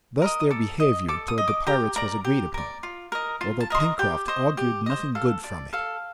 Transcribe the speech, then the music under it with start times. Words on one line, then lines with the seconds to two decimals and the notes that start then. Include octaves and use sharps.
Thus their behavior towards the pirates was agreed upon, although Pencroft augured nothing good from it.
0.22 A#4 D#5
0.40 D#6
0.51 A4 D6
0.80 D#5
1.08 A4 D6
1.28 D#6
1.38 D#5
1.48 D6
1.67 G4 A#5
1.96 A#4 D5 A#5
2.25 G4
2.54 A#4 D5
2.83 F4
3.12 A#4 D#5
3.41 F4 A5
3.60 A5
3.70 A#4 D#5 C6
3.80 A#5
3.99 G4 G5
4.28 C5 D#5
4.57 G4
4.86 C5 D#5
5.15 A4 F5
5.44 D5
5.73 A4 F5